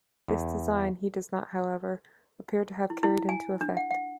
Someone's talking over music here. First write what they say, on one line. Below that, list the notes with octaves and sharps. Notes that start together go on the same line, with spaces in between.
This design he does not, however, appear to have carried into effect.
E2
E4
E4
G#5
D4
F#5
F#5